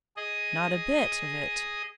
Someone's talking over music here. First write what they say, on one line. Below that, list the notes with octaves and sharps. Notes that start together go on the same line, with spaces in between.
'Not a bit of it.
G#4 D#5